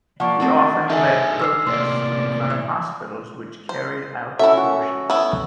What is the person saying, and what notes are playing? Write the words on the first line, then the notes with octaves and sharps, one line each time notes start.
He often led protests in front of hospitals which carried out abortions.
F3 A#3 D5 F#5 C#6 D6
A3 C4 D4 F#4
D#4 G#4 A4 B4 E5 G#5
E6 F6 C7
A2 C3 A#3 D5 C6
E3
C5
C#4 E4 F#4 A4 E5
F#4
B3 E4 E6